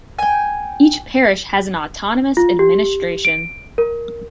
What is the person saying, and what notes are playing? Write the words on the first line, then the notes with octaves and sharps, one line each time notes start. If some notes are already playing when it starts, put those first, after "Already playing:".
Each parish has an autonomous administration.
G5 G#5
F4
G4
D7
A#4